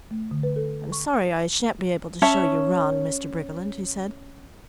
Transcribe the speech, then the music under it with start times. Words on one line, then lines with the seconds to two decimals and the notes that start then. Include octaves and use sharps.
"I'm sorry I shan't be able to show you round, Mr. Briggerland," he said.
0.11 A3
0.31 D3
0.43 B4
0.56 A4
0.92 C#6
2.22 C#4 C#5 E5 A5